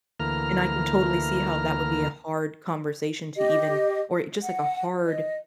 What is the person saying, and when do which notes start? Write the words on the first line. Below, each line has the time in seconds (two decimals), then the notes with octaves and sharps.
And I can totally see how that would be a hard conversation to even or, eh, just like a hard,
0.20 D2 E3 A#3 A#5 F6
3.35 G4 D#5
4.41 F#5
5.05 D#5